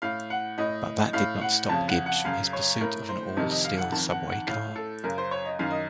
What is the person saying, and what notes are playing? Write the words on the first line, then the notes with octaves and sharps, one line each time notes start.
But that did not stop Gibbs from his pursuit of an all-steel subway car.
A2 F5
F#5
A2 D#5
A2 F5
F#5
F2 C#3 A5
F#5
F#5
F#2 C#3 F5
C#5
A2 A#4
C5
F2 C3 D#3 D#5
D#5
F5
F#5
F2 D#3 A5
F#5
F#5
A2 F5
A4
F#2 C#3 A#4
C5
C#5
D#5
F#2 D#3 F5
D#5